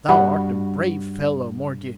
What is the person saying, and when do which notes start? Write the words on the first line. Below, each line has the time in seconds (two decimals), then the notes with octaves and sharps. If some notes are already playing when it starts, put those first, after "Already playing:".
Thou art a brave fellow, mordioux!
0.09 G2 F#4 F#5 B5